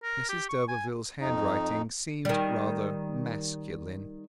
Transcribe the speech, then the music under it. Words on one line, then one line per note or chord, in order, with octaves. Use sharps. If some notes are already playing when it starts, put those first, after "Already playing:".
Mrs d'Urberville's handwriting seemed rather masculine.
A#4
G4
C#6
G#5
F2 D#4
D#3 G3